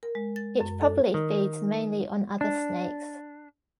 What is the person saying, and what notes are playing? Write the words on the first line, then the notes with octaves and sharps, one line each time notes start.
It probably feeds mainly on other snakes.
A#4
G#3
A6
F#2
A4
D#3
D4